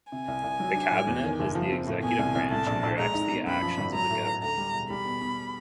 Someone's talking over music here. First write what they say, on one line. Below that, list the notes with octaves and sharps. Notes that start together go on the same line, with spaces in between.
The Cabinet is the executive branch and directs the actions of the Government.
C3 G#5
C2
C2
F#3
D4
A2
E2
D#3
F#1
F3
C4
A2
B2 G#5
C2
C2
A2 A5
A#1
A#1
G#3 A#5
D#4
B2
F#2 B5
F3
G#1
F#3 A#5
A2
A2
D2 A#5
G3
E1
G3 B5
B2
B2